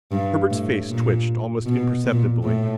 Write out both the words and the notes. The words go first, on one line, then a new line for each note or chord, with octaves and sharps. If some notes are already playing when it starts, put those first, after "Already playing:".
Herbert's face twitched almost imperceptibly.
G2
A2
A#2
B2
A#2
A2